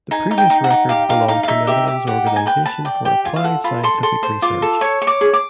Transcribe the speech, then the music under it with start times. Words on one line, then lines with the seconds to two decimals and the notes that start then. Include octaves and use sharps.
The previous record belonged to Netherlands Organisation for Applied Scientific Research.
0.11 D#4 G#5
0.31 D#4
0.38 G5
0.50 D#4
0.64 F#5
0.70 D#4
0.89 G4 F5
1.09 D#4 F5
1.28 D#4 F5
1.43 F5
1.48 D#4 E5
1.67 G4 E5
1.88 G4
2.07 G4 F#5
2.26 D#4
2.36 G#5
2.46 B4 G5
2.65 B4 A5
2.85 D5 G5
3.05 G4 G5
3.25 F4 G#5
3.36 F5
3.44 A4 F#5
3.64 F4 B5
3.83 A4 C6
4.03 A4 C6
4.23 C5
4.42 F4 D6
4.62 A4
4.81 C#5 C#6
5.02 C#5
5.07 D6
5.21 G#4
5.33 D6